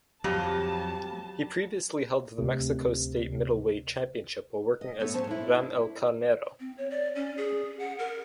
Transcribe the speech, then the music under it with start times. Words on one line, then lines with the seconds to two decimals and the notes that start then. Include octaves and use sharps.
He previously held the Mexico State Middleweight Championship while working as Ram el Carnero.
0.24 F2 F#3 G4 A5
2.38 D2 C3
4.81 D#5
5.00 A3 B3 A4 C#5
5.14 A#2 F#3 C#4 C5 A5
5.27 D4 E4
6.60 C4
6.78 C#5
6.90 D5
7.16 C#4
7.37 G#4
7.79 F#5
7.99 A#4